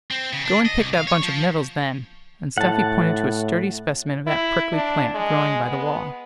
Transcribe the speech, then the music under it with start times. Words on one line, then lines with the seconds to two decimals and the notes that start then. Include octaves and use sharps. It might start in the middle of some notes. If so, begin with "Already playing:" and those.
"Go and pick that bunch of nettles, then," and Stuffy pointed to a sturdy specimen of that prickly plant growing by the wall.
0.11 C4
0.33 C#3
0.45 D4
0.66 D#5
0.78 C2
0.94 F5
1.07 C#5
1.23 F3
2.58 A2 F#5 A5
4.26 E4
4.73 D4
5.14 G#3
5.68 B3